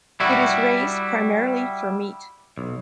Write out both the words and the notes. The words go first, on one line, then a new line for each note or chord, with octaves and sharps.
It is raised primarily for meat.
G3 E4 F#4
B1